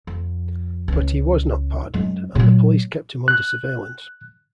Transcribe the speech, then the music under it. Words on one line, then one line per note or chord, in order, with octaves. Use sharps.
But he was not pardoned, and the police kept him under surveillance.
F2
C#2 C#4
F#2 G#3
A#2 F#3
F#6